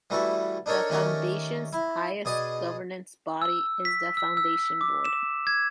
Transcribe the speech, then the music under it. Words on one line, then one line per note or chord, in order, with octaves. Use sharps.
The foundation's highest governance body is the foundation board.
E3 G3 A3 F#4 A4
D4 D#4 A4 A#4 C#5
D#3 A3 C#4 G4 A#4 D5
E4
B2 G#4 D5 D#5
E6
B6
E6
E6
D6
E7
G#6